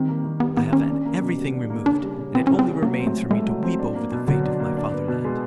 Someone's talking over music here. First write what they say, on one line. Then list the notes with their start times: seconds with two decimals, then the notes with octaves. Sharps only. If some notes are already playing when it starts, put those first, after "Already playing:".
I have had everything removed, and it only remains for me to weep over the fate of my fatherland.
Already playing: D#3 G3 C4
0.09 A#3
0.25 D#3
0.40 G3 B3
0.57 D#3 B3
0.73 A#3 C#4
0.89 D4
1.05 A#3
1.21 B2
1.38 G3
1.53 D4
1.70 A#3
1.85 C#3 D4
2.02 G3
2.18 C#3
2.34 E3 C4
2.47 C#4
2.51 C#3
2.59 C4
2.67 G3
2.83 F#3 A#3
2.99 C4
3.07 A3
3.15 F#3
3.31 G#3 A3
3.47 F#3
3.63 C4
3.79 D4
3.95 A#3
4.12 B2
4.27 D3 F#3
4.44 D4
4.60 A#3
4.77 D4
4.92 B3
5.08 B2
5.25 G#3